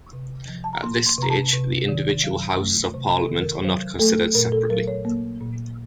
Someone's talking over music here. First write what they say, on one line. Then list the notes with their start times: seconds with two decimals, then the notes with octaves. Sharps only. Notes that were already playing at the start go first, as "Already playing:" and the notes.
At this stage, the individual houses of parliament are not considered separately.
0.13 C3
0.48 F3
0.64 A5
0.73 A#5
0.83 A#3 C6
1.06 C6
1.18 C3 A#5
1.30 A5
1.53 C3
1.88 D#3
2.24 F#3
2.59 A3
2.94 C3 C5
3.17 A4
3.29 D#3
3.41 A#4
3.64 F#3 C5
3.99 A3 A4
4.34 A#2 A#4
4.52 A4
4.70 F#3 A#4
4.88 C#5
5.05 A#3
5.40 A#2